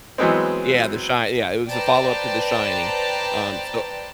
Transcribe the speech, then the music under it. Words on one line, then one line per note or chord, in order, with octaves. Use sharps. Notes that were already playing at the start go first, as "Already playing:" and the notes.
Yeah, The Shine yeah, it was a follow-up to The Shining, um, so
E3 F#3 G#3 B3 C4
B4 C5 D5 G5 A5 A#5